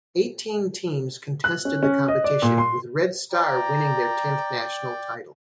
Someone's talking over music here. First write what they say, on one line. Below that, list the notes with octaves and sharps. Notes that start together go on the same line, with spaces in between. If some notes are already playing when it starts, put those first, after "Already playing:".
Eighteen teams contested the competition, with Red Star winning their tenth national title.
F#6
C#4
C#4
D#5
D5
A#2
C6
D5 G5 A#5